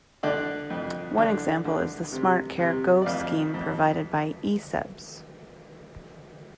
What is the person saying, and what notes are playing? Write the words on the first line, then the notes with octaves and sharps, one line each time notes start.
One example is the "Smartcare go" scheme provided by Ecebs.
D3 D5
F2
D3
D3
C3
C3
D5
F2 F5
F2